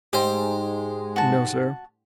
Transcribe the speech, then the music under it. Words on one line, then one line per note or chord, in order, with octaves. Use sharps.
"No, sir."
G#2 G#3 G4 C5
F#4 A5